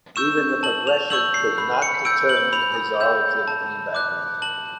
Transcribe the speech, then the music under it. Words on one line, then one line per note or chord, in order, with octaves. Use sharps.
Even the Progressors could not determine his origin and background.
C#6 E6 G6 E7
A5 F#7
F7
C#6 E6 G6 F#7
C7
B5
C#7
E6 G6 D7
F#7
B5 F7
E6 G6
A5
D6 F#6
A5 F#7